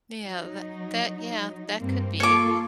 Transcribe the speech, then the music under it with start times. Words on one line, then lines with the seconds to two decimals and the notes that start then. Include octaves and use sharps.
Yeah, that that, yeah, that could be.
0.24 F#3 D#4
1.80 G2 A#3 C4
2.20 A#3 F4 A4 C#5 D6